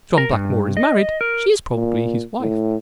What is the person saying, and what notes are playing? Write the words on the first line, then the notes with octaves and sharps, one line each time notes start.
If John Blackmore is married, she is probably his wife.
A#4
G2
D#5
A#4
A#2
A2